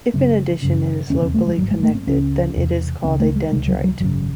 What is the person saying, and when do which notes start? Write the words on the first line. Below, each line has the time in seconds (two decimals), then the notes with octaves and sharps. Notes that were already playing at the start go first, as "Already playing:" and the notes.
If in addition it is locally connected then it is called a dendrite.
0.13 F#1 F#2 C#3 C4
0.62 F#1 F#2 C#3
1.10 E1 D#2 C#3 C#4
1.22 C4
1.34 A3
1.47 G#3
1.58 G#1 G#2 F#3
1.71 G#3
1.83 A3
1.95 C4
2.07 C#2 C#3 C#4
2.55 E1 E2 C3
3.04 C#2 C4
3.07 C#3
3.20 A3
3.36 G#3
3.51 C#2 C3 G#3
3.68 F#3
3.84 F#3
4.00 G#1 F#2 C#3 F#3